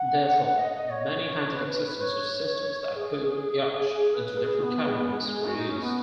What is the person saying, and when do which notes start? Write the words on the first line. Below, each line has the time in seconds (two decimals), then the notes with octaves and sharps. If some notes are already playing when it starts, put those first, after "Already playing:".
Therefore, many handicap systems or systems that put yachts into different categories were used.
Already playing: F#5
0.57 D#5
0.73 D#5
0.89 C#5
1.52 B4
1.77 B4
2.00 C#5
2.95 G#4
3.89 G#4
4.14 B4
4.37 G#4
4.61 B3
4.85 G#3
4.97 B3
5.09 G#3
5.20 G#3
5.45 F#4
5.56 D#4
5.68 C#4
5.80 B3